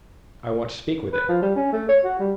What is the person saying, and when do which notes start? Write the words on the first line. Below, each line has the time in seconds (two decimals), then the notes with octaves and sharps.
"I want to speak with him."
1.13 B4
1.29 F3
1.42 G3
1.56 C#4
1.73 A3
1.89 C#5
2.05 F#4
2.19 G3